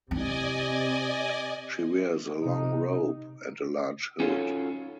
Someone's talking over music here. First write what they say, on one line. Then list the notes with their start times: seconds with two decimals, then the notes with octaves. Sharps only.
She wears a long robe and a large hood.
0.11 C3 C4 E4 D5 D#5 G#5
2.42 C3 D#4
4.20 C#4 D#4 F4 F#4 A4 C#5